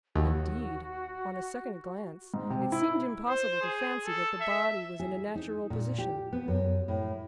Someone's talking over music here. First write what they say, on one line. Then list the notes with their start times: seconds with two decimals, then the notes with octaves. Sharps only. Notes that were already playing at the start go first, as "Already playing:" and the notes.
Indeed, on a second glance, it seemed impossible to fancy that the body was in a natural position.
0.16 D#2 F#4
2.34 G#2
2.50 C3
2.72 E4
3.29 C5
3.62 G#4
4.06 A4
4.41 E5
5.00 G#4
5.35 D#4
5.70 A#2
5.98 G4
6.33 B3
6.48 F#2
6.88 A2